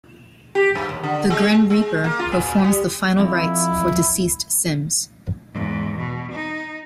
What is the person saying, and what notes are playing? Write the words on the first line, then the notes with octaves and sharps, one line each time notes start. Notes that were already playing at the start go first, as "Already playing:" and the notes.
The Grim Reaper performs the final rites for deceased Sims.
G4
G2
D#2
D3
G#3
G#3
A#3
F4
A#2
G3
F2 E4
E2 G#2
B2
D#4